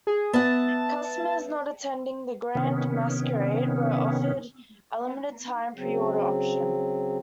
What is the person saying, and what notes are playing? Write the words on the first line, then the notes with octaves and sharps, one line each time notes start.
Customers not attending The Grand Masquerade were offered a limited time preorder option.
G#4
B3 E5 F#5 A5
C3 D#3 B3 C#4
C#3 F#3 C4